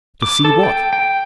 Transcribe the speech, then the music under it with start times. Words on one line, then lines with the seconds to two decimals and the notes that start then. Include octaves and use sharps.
To see what?
0.22 D6
0.45 A4
0.63 G5
0.93 G5